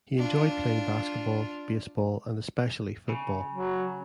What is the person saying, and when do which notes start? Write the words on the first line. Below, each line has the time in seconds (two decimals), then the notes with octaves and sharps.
He enjoyed playing basketball, baseball, and especially football.
0.18 D4 F4
3.09 C#3
3.51 F#3